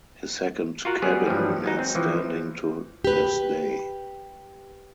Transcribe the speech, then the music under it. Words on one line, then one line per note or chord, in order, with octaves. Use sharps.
His second cabin remains standing to this day.
F4 F#4 A#4 F#5
F#3 G3 B3 G4 G#4 C#5
G2 E3 F3 G3
F#3 G#3 D#4
C4
E3 F3
G4 B4